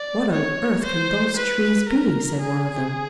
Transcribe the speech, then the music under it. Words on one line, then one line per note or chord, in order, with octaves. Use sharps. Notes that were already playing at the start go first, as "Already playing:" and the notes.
"What on earth can those Trees be?" said one of them.
Already playing: D5
C#5
C5
B4
A#4
G#4